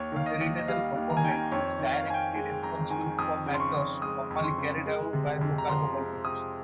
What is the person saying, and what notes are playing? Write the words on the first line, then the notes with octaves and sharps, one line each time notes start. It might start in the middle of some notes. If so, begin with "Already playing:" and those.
The territorial government is directly responsible for matters normally carried out by local government.
Already playing: D#2 C#5
D#3 F5
D#5
D#2
D#5
G3 F5
D#2
A#5
G#5
D#3 G5
G#5
F2 C#5
D#3
F5
F2 G#5
G5
G#3 G#5
F2 A#5
D#3 G#5
F2 D#6
C#3
C6
C#6
F2
G#3 D#6
F2
C#6
C6
C#3
G#3
C3
F2
A#5
F3 C6
G#3
C3 D#6